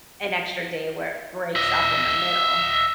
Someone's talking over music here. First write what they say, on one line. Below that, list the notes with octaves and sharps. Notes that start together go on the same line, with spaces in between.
an extra day where it breaks up in the middle.
D#5 E5